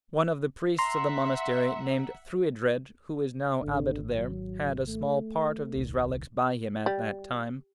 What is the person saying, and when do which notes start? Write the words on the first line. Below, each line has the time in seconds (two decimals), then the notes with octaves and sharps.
One of the priests of the monastery, named Thruidred, who is now abbot there, had a small part of these relics by him at that time.
0.79 E5 F#5 A#5 C6
3.62 D1 G#1 D3
4.16 F#3
4.88 A3
5.76 D#1 C2 D#3
6.86 G3